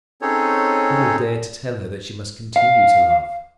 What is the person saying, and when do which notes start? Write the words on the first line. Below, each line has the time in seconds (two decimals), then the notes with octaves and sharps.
Who will dare to tell her that she must continue to love?
0.22 C4 C#4 D#4 G#4 A4 C#5
2.56 F5